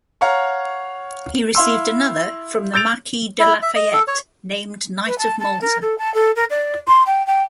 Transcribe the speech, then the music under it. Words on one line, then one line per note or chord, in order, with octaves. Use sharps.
He received another from the Marquis de Lafayette named Knight of Malta.
C#5 F5 F#5 A#5 C#6
E4 F5 C6 E6
E6 G6 A6 D7 F7
E4
E5
D#5
A4
C#5
B4
A5
A5
A#4
A4
A5
A4
A#4
D5
C6
G5
G5